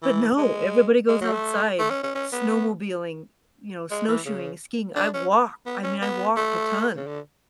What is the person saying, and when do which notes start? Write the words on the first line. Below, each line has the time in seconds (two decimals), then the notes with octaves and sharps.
But no, everybody goes outside, snowmobiling, you know, snowshoeing, skiing. I walk I mean, I walked a ton.
0.03 E3
0.38 G#3
1.09 G#3
1.21 F#3
1.32 A3
1.79 A3
1.90 C#4
2.03 C#4
2.15 C#4
2.32 B3
3.91 G#3
4.08 E3
4.25 C#3
4.96 D4
5.14 C#4
5.66 B3
5.83 C#4
6.02 B3
6.37 A3
6.97 C#3
7.07 D3